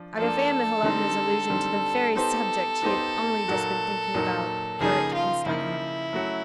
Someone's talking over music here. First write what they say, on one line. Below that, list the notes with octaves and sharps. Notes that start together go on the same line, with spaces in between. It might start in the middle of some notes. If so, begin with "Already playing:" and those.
Agafea Mihalovna's allusion to the very subject he had only just been thinking about, hurt and stung him.
Already playing: F3 D4
F3 A#3 D4 A4
D3 G3 C4 D#4
D3 G3 C4 D#4
B3 D#4 G4 A4 C5
B3 D#4 G4 C5
A#2 F#3 A#3 D#4 F#4
A#2 F#3 A#3 D#4 F#4
C#3 F3 A#3 D#4 G#4
F4
C#3 F3 A#3 D#4 E4
F#3 A3 C#4 F#4